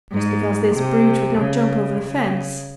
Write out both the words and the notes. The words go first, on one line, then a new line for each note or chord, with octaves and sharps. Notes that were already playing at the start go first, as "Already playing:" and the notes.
"Just because this brute would not jump over the fence."
G#2
C3
C#3
C#3